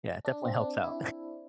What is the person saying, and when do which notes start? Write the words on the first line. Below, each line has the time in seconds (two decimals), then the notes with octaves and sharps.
Yeah, it definitely helps out.
0.25 D4
0.45 C4
0.54 D4
0.84 E4